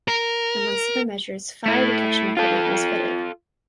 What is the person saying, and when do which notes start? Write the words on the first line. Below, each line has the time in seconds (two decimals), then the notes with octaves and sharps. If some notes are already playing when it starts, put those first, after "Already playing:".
Amongst other measures fire detection equipment was fitted.
0.08 A#4
1.66 A3 E4
2.37 F4 A4